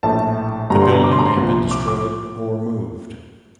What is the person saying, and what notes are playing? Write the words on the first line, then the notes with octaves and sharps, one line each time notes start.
The building may have been destroyed or moved.
A#1 A2 A3 A5
G1 G2 D3 G3 D4 A#5
C6
A#5
D6
C6
A#5
C6
C2 A#2 F3
D6
D6